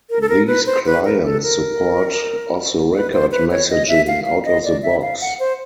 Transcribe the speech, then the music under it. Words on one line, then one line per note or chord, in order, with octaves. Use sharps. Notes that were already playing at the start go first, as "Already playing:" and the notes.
These clients support Off-the-Record Messaging out of the box.
A#4
A4
A#4
B4
C5
B4
A#4
A4
A#4
B4
C5
B4
C#5
D#5
E5
F5
F5
D#5
D5
E5
F5
F#5
C5